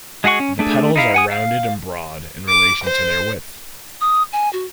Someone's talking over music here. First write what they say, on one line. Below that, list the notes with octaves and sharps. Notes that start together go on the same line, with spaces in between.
The petals are rounded and broad in relation to their width.
G#3 F#4 G#4 F#5 C#6
C#4
A3 D4 G#4 A4
D#4 E4 F5
F#5 G#5 D#6
F5
D6
C5
D#6
G#5
F#4